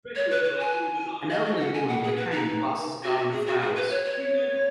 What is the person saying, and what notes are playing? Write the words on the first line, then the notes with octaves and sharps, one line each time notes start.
An elderly woman with a cane passes a garden of flowers.
C#5
B4
B4
G#5
D#5
D#5
F#5
G#5
F#5
G#4
B4
D#4
F#4
F#4
G#4
F#4
G#4
B4
C#5
C#5